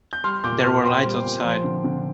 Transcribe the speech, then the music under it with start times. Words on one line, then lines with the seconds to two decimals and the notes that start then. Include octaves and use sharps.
There were lights outside.
0.13 G6
0.24 G3 C6 F6
0.44 A#2 D6 G6
0.63 A#2 C6 F6
0.83 C4 G5 C6
1.04 G3
1.24 A#2
1.44 F3
1.64 D3
1.84 D3